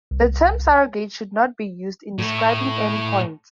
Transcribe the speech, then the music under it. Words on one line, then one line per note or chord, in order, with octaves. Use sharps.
The term "surrogate" should not be used in describing end points.
C2
A2 A3